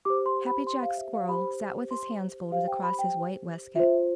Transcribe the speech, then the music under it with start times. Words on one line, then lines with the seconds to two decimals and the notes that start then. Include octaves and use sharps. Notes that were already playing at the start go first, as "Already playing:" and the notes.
Happy Jack Squirrel sat with his hands folded across his white waistcoat.
0.05 G4 C5 D6
0.26 C6
0.47 B5
0.67 C6
0.82 F5
0.98 E5
1.13 F5
1.29 G4 C5 B5
1.91 C6
2.52 G4 C5 F5
2.68 G5
2.83 B5
2.99 G5
3.76 F4 C5 E5